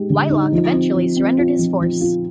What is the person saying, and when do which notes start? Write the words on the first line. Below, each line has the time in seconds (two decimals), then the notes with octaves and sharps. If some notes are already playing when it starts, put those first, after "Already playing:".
Whitelocke eventually surrendered his force.
Already playing: G#3 D#4 G4
0.10 D3
0.30 D#4
0.52 F3
0.73 C4
0.95 F3
1.17 C4
1.38 F4
1.59 F3
1.80 F3
2.01 F4